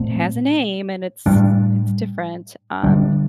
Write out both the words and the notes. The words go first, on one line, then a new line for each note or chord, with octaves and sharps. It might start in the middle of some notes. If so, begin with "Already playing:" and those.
it has a name, and it's it's different, um
Already playing: A#2 A3 C4
A2 G3 D4
D3 G3 D4